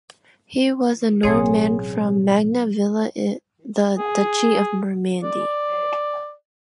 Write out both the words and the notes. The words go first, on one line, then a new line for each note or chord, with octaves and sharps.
He was a Norman from Magna Villa in the Duchy of Normandy.
A1 B2 F#3 C4 G#4 C#5
G#4
D5